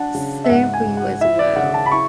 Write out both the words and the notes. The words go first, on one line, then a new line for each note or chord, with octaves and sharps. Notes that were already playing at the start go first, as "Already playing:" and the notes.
Same for you as well.
Already playing: D4 F#5
C#3
E5
G#2 F#5
G#5
G#2
F#5
E4 E5
D5
C#3 F#5
A5
B5
E4 C#6